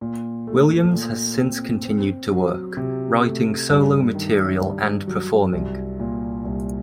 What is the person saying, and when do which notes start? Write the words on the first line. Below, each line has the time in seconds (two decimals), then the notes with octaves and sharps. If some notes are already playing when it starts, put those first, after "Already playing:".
Williams has since continued to work, writing solo material and performing.
0.01 A#2
0.47 A3
0.94 A#2
1.39 C4
1.85 C4
2.32 F#3
2.77 C3
3.23 A3
3.69 G2
4.15 D#3
4.60 G2
5.07 F#3
5.53 C2
6.00 A#2
6.45 C2